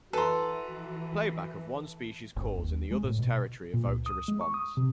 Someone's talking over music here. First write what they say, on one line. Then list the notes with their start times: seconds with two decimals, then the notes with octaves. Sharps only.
Playback of one species' calls in the other's territory evoked a response.
0.13 E3 F#4 A4 B4 A#5 C6
2.36 G1
2.58 D#2
2.91 G#3
3.04 A2
3.19 B2
3.74 A#2
3.87 C#2
4.06 D#6
4.28 G#3
4.41 C#6
4.54 D#6
4.77 C3